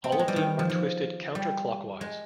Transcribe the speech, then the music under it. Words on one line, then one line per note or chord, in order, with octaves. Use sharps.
All of them are twisted counterclockwise.
C4
B3
G#3
G3
D#3
F3
F3
G3
G#3